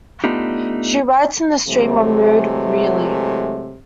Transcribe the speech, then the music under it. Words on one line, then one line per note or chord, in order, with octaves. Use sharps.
She writes in a stream of mood really.
A3 B3 D4 D#4 F4 G4
C3 E3 F#3 G#3 A3